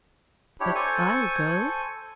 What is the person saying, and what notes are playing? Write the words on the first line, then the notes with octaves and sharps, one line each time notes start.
But I'll go.
D4 E4 G4 C#5
A4 C5 G#5 C#6